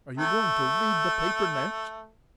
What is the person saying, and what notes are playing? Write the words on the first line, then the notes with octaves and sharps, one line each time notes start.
"Are you going to read the paper next?"
C3 A3